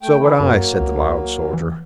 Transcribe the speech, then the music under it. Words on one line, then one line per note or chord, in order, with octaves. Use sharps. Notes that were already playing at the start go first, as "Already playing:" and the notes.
"So would I," said the loud soldier.
A3 G5
E3 D4 E4
F#2 F#3 A#3
C#2
E3